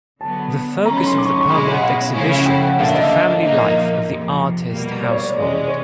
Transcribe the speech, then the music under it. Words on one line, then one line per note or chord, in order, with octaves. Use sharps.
The focus of the permanent exhibition is the family life of the artist household.
D3 F#3 B3 A5
D#3 F#3 A3 C#4 A#5
B5
C6
D6
C#6
C6
C#6
B2 G#3 C#4 E4 B5
F#5
F5
C#3 F3 A3 C#4 E4
F5
F#5
G5
F#5
D3 F#3 A#3 D4 F5
E5
D#5
E5
F5
A#2 F3 A#3 D#4 D#5
F2 C3 F3
B2 G3 A#3
D5
C#5
D5
C3 E3 G#3 C#4
C#5